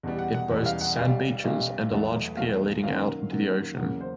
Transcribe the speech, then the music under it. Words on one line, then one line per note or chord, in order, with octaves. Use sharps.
It boasts sand beaches and a large pier leading out into the ocean.
E2 B2 G3
F#5
F#5
E2 B2 G3
F5
F#5
B1 B2 G3 F5
B1 B2 G3
E2 B2 F#3 A3
E2 B2 F#3 A3 F5
F#2 D#3 F#3 A#3 F5
F#2 D#3 F#3 A#3
E2 C#3 F#3 A#3 F#5
C5